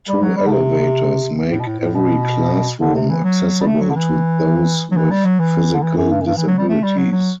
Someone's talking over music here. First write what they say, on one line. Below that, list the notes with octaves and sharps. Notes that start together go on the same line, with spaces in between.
Two elevators make every classroom accessible to those with physical disabilities.
G3
F#3
G3
D3
C3
A2
B2
A2
A2
B2
D3
C3
E3
F#3
G3
A3
F#3
D3
E3
F#3
E3
G3
F#3
E3
D3
E3
F#2
G2
F#2
G2
E3
F#3
G3
A3
G3
F#3
F#3